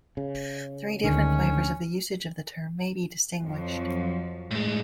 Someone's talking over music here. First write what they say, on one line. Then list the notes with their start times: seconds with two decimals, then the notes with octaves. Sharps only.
Three different flavors of the usage of the term may be distinguished.
0.17 C#3
1.04 D2 D3 D#3 G#3 C#4
3.44 F2 F3 F#3
4.51 A2 G#3